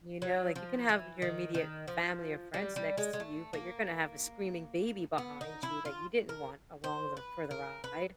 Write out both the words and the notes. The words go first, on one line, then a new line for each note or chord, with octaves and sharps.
You know, like, you can have your immediate family or friends next to you, but you're gonna have a screaming baby behind you that you didn't want along the for the ride
F#3
F3
E3
D#3
D#3
F3
G3
G3
G#3
G#3
A3
A#3
B3
D#4
E4
F4
A#4
C5
B4
A#4
B4